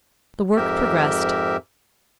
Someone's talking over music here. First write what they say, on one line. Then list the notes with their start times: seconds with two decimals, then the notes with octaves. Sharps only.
The work progressed.
0.56 F2 G#2 G4 A#4 E5